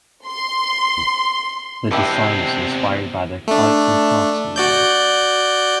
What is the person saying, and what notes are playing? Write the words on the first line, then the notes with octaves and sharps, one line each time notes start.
The design is inspired by the arts and crafts movement.
C6
E2 C3 G#3 C4 D4 E4 G4
A3 D4
F#4 D5 G6